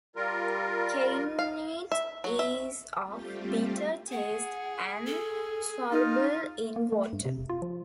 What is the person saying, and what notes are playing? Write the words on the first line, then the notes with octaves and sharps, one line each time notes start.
Kainite is of bitter taste and soluble in water.
G3 F4 A#4
F5
E5
F#3
E5
G3 A3 C4 F4 G4
G#4 F#5
A4
D#4 F4 F6
A#3
A3
G2
C3
E1
F4
F3